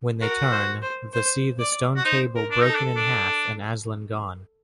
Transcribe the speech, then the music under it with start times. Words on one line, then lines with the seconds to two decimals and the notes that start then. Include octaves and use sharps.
When they turn, the see the Stone Table broken in half and Aslan gone.
0.21 F#4 A#4
0.52 C5
0.82 C5
1.13 C5
1.59 D5
1.96 F#4
2.05 D#4 C5
2.35 A#4
2.51 D4
2.63 D#4 A4
2.76 D4
2.96 D4